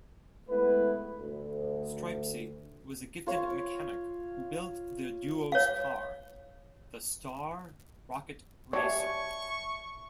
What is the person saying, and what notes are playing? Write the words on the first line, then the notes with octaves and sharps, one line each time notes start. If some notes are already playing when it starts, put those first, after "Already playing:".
Stripesy was a gifted mechanic who built the duo's car, the Star Rocket Racer.
G#3 A3 B3 E4 B4
D2
F4 C#5
C#5 F5
D4 G4 C#5 E5 A5 C#6